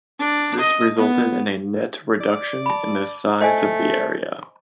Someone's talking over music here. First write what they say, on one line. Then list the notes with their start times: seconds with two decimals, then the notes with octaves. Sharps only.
This resulted in a net reduction in the size of the area.
0.20 D4
0.60 D#5
0.97 B3
2.21 D5
2.66 A5 B5
3.41 A3 C5 D#5 G#5